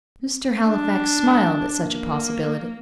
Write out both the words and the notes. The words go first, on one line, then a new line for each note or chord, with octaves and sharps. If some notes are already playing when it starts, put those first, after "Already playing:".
Mr. Halifax smiled at such a possibility.
D4
A#3